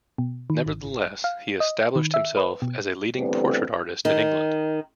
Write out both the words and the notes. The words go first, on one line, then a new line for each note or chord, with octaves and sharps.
Nevertheless, he established himself as a leading portrait artist in England.
B2
D#3
G#1
G#1
F5
D#5
D#3
E5
B4
B2
E2 D3 G3 A3 B3 C4
D#3